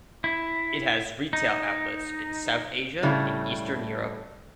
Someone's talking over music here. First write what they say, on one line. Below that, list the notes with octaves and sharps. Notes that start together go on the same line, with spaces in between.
It has retail outlets in South Asia and Eastern Europe.
E4
D#4
A2 C#3 G3 A3